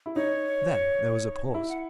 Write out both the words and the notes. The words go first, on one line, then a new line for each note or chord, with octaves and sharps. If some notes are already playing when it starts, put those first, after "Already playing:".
Then there was a pause.
E4
D#4 C#5
E4
F#5